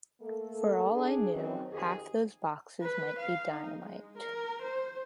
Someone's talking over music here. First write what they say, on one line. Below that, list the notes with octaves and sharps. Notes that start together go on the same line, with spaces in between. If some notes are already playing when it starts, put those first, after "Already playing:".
For all I knew half those boxes might be dynamite.
A3 A#3 A4
D4 G#4
D#3 F#3 C4 C#4 D#4
F2 D#3 G4 G#4
B4
F5
D#4
G#3
A#4
C5